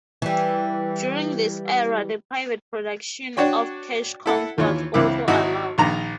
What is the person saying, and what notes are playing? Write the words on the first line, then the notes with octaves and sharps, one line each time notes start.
During this era the private production of cash coins was also allowed.
E3 G3
D4 F#4 C#5 G5
E4 A4 F#5
D#2 E3 F4 C#5
C#2 E3 C4 E4 D6
G#1 D#4 E4 F#4
A#1 D#3 A#5